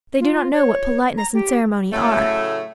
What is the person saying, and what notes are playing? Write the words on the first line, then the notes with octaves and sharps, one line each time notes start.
They do not know what politeness and ceremony are.
F4
C#5
A#5
G4
A2 C#3 F#3 A3